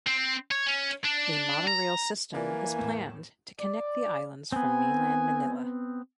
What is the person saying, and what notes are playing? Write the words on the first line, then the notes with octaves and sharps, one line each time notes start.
A monorail system is planned to connect the islands from mainland Manila.
C4
C#5
C#4
D4
A#5
E3 A#3 F4 A#4 D5 G#5
E2 A2
D5
B3 C4 G#5